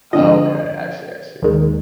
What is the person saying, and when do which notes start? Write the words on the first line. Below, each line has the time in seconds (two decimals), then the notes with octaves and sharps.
Okay. I see, I see.
0.13 F2 D3 F3 D#5
1.42 D#2 D#3 G#3